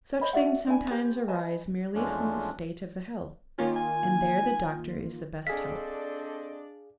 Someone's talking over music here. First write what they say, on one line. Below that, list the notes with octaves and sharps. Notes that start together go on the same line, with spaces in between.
"Such things sometimes arise merely from the state of the health, and there the doctor is the best help."
C5 C#5 D#5 B5
F#4 D5 E5 F#5
D4 E4 G#5
G4 B4 C5 G#5
B4 D#5 G#5 A5
E2 F3 G#3 A3 C#4 D4
D#3 A#3 C#4 F4
G#5
C4 D4 G#4 A4 D5 D#5 F5 B6